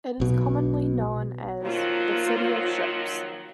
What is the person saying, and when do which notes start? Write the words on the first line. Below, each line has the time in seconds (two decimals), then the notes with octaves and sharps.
It is commonly known as The City of Ships.
0.20 B1 B2
1.63 D#3 F3 F#3 A#3 F4